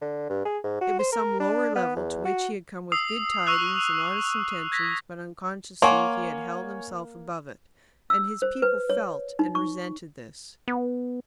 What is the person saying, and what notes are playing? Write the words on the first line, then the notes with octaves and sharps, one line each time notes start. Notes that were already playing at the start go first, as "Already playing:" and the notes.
It was some lower level to which he had come with good tidings and honest intentions but, unconsciously, he had held himself above it, and his people felt and resented this.
D3
G2
G#4
G#2
F#4
C5
A#4
D4
B3
E2
F#4
D#6 E6 C7
C#6 E6 F#6 F7
G#6 A#6 B6
A#3 C#5 F#5 G#5 C6 C#6
E6
C5
B4
C#5
D#4
C#6
B3